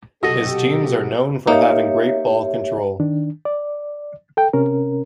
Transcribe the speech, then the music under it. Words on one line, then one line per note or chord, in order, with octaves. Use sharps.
His teams are known for having great ball control.
B1 C3 F#4 G4 A4 D#5
A#3 D#4 G4 C#5 E5
D#3 D4
D5
A4 G5
C3 C#4 A#4